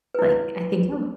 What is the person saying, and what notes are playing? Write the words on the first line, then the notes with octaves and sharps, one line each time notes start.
like, I think I would
E4 B4